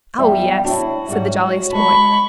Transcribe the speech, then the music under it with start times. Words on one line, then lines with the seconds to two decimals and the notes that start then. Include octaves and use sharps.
"Oh, yes," said the jolliest boy.
0.18 E2 G3 E5 G5
0.64 D4 E4 F#4 C#5
1.09 G#2 G3 C#5 F#5
1.73 G#3 A5 B5 C#6